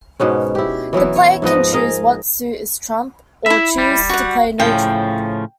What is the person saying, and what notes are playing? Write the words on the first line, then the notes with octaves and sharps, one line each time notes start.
The player can choose what suit is trump, or choose to play No Trump.
G#2 B2 B3 C#4
E4 G4
E3 F#3 B3 E4
C#5
G#2 F3 B3 D#5
G#4 A#4 D#5 F5
E4 E5 B5
G3
F#4 F#5
A2 C#3 F3 G5